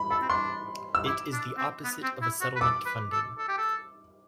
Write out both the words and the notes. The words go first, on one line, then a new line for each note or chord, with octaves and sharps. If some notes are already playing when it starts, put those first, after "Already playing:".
It is the opposite of a settlement funding.
Already playing: B5
A4 B5
C4
D4 C6
E6
E4 D6
D4
C4
B3
C4
E4
F#4
B4
A4 D6
B4
A4
A4
G4
A4